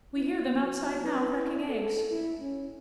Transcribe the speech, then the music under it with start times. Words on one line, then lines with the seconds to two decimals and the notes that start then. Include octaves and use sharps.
We hear them outside now cracking eggs.
0.15 E4
0.50 F#3
1.04 B4
1.35 E4
1.69 A4
2.11 E4
2.40 C#4